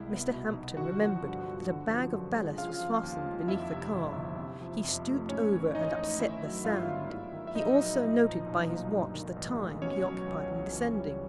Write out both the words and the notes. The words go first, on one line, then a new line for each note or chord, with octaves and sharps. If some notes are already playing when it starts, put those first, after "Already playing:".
Mr. Hampton remembered that a bag of ballast was fastened beneath the car, he stooped over and upset the sand, he also noted by his watch the time he occupied in descending.
Already playing: C2 G#3 E4
B3
B2
D#4
D3 F#4 F#5
F3
G2
G2
D3
F3
F#2
G#3
C#3 F4 F5
F3
D#2
G#3
F2 E4 E5
C3
G1
F3
C3
F3
F2
A3
G#2 C#4 C#5
E3
G#1 D#4 D#5
A3
D#3 E4 E5
F#3
G2 F4 F5
B3
G#2 E4 E5
D#3
E5
A#1 D#4 D#5
F#3
A#2
F3
B1
A#3
G2
D#3
A1
G#3
B2 C#4 C#5
F#3
C#2
C#2
E3
G3